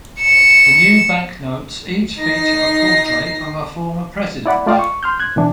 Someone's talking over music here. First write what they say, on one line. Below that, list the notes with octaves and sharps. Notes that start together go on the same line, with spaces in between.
The new banknotes each feature a portrait of a former president.
C#7 E7
D#4 A#6 C7
E4 D5 F#5 B5
A3 F4 D5 D#5 F5 G5
C#6
C6 F6 G6
F#6 G#6
B2 E3 D4